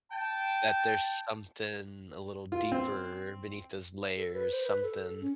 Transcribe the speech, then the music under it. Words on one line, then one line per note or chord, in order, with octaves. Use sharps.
That there's something a little deeper beneath those layers, something,
G5 A5
F4
C4
A4
B4
C5
B4
A4
C#4